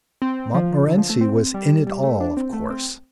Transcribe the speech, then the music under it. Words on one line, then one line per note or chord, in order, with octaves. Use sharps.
Montmorency was in it all, of course.
C4
F3
D3
F3
A3
C4
G3
G3
A3
D4
C4
A3
C4